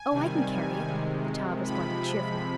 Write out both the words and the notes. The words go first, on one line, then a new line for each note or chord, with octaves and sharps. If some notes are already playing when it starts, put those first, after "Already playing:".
"Oh, I can carry it," the child responded cheerfully.
Already playing: G#5
C3 D#3 G3
C3 D#3 G#3
C3 F3 G#3 B5